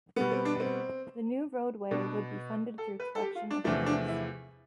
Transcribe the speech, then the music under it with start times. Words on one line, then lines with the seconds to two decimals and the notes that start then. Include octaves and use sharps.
The new roadway would be funded through collection of tolls.
0.16 B2 G3 B3
0.32 C4
0.45 D4
0.60 C4
1.91 B2 B3 D4
2.78 A4
3.00 B4
3.15 A4
3.22 G4
3.35 F4
3.51 D4
3.64 E2 C3 F3 A3 D4
3.86 D4
4.08 E4